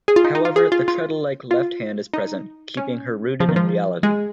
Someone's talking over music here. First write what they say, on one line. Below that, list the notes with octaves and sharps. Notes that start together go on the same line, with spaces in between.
However, the treadle-like left hand is present, keeping her rooted in reality.
G#4
F4
D#4
D#4
F4
G#4
F4
F4
F4
D#4
C#4
F3
D#3
F3
G#3